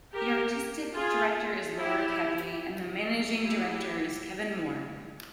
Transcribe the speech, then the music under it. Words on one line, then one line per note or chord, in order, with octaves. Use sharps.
The Artistic Director is Laura Kepley and the Managing Director is Kevin Moore.
G4 A#4
F4 G#4
E4 G4
E4 G4